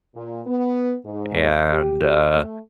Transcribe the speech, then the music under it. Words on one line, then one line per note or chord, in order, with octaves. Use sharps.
and, uh,
A#2
B3
G#2
G4
A3